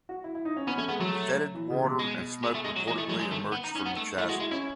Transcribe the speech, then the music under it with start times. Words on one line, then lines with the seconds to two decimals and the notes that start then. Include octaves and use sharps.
Fetid water and smoke reportedly emerged from the chasm.
0.09 F#4
0.24 E4
0.35 E4
0.45 D#4
0.57 C#4
0.67 B3 C#4
0.78 A3 C#4
0.89 G#3 B3
1.00 F#3 A3
1.55 E3
1.70 C#3
1.85 B2
1.99 G#3
2.43 G#3
2.55 A3
2.64 G#3
2.76 F#3
2.87 E3 G#3
2.98 A3
3.08 F#3 G#3
3.20 G#3
3.31 D#3 A3
3.52 B3
3.64 D#4
3.75 C#4 D#4
3.85 B3
3.96 A3
4.18 A3 E4
4.29 G#3 F#4
4.40 G#3 E4
4.51 C#4 E4